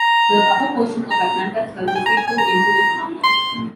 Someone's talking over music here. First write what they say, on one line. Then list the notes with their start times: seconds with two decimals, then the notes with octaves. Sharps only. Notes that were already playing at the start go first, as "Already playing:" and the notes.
The upper portion of "Atlanta"s hull received two inches of armor.
Already playing: A#5
1.11 A#5
1.88 G5
1.96 G#5
2.06 A#5
2.17 G#5
2.28 G#5
2.38 A#5
3.24 C6